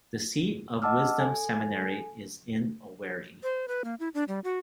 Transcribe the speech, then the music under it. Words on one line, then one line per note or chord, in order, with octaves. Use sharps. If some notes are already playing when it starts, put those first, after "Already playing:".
The Seat of Wisdom Seminary is in Owerri.
D#5 F#5 A5 D6 E6 F6
A4 G#5
C5
B4
A#3
E4
D4
G3
F#4